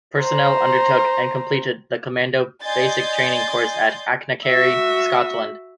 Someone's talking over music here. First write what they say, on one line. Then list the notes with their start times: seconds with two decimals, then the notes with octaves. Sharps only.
Personnel undertook, and completed, the Commando Basic Training Course at Achnacarry, Scotland.
0.18 C5 A#5
2.64 D5 D#5 G#5 C6 G6 A6
4.47 F#4 E5